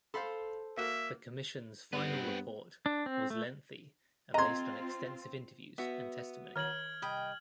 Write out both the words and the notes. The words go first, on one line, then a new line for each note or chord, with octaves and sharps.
The commission's final report was lengthy and based on extensive interviews and testimony.
A4 C5 F5 B5 C6
A#3 F#4 E5
G2 B3 C4 B4
D4
C4
A3
C4 F4 D#5 A#5 C6 G#6
B3 F#4 E5
D#3 C#5 F6 G#6 F#7
C2 D#5 G5 B5